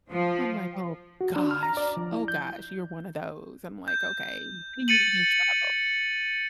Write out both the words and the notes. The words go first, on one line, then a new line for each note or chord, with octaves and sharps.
I'm like, "Oh gosh, oh gosh, you're one of those." I'm like, "Okay, can you even travel?"
F3
F#4
D4
F6
A#5
D5
F3
E4
G6
G6
A6 C#7 D#7 F#7